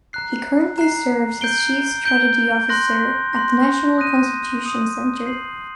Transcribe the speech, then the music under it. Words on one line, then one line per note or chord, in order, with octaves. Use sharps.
He currently serves as Chief Strategy Officer at the National Constitution Center.
A#5 F#6 C7
A#5 F#6 C7
G6 D7 G7
G6 D7 G7
C6 F#6 A#6
C6 F#6 A#6
D#6 F#6 A#6 D#7
D#6 F#6 A#6 D#7
G6 C7 F#7